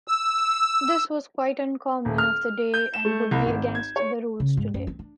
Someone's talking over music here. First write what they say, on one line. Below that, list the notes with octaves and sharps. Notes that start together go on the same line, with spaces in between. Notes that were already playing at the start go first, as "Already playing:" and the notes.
This was quite uncommon of the day and would be against the rules today.
E6
D#1
F6
G6
E7
A3
C2
G#1
G#6
C#5
C#3
G#2
F#2
C4
D4